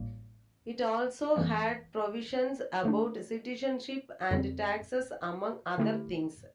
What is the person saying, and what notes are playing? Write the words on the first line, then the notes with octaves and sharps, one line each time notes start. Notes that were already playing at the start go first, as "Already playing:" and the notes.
It also had provisions about citizenship and taxes among other things.
Already playing: A1 A2 G3 A#3
F2 E3 G3 A#3
D3 A3 D4
F2 D3 G3 C4
D3 A3 E4 G4 A#4